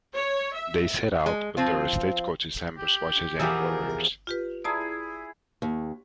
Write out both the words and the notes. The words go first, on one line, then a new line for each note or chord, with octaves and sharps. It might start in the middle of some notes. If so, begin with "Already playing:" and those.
They set out, but their stagecoach is ambushed by Cheyenne warriors.
C#5
E5
G#3
F3 C4 F4
G4
E2 B2 F3 G4 G#4 A#4 E5
F4 G4 B4
E4 G#4 D5 A5 A#5
D#2